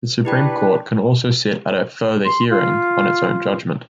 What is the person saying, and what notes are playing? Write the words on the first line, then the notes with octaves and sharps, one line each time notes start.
The Supreme Court can also sit at a "further hearing" on its own judgment.
D4 E4 G4 B4 G5
C6
F4